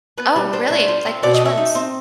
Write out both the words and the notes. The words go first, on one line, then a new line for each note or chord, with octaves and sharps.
Oh, really? Like, which ones?
B3 B4
G3
D4 C5
A3
F4
C4
B2 D5
D#5
A3
E5
D#4
C4